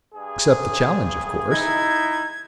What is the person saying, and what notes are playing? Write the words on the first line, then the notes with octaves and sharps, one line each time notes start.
"Accept the challenge, of course."
G2 G#4
D#4 E4 G#6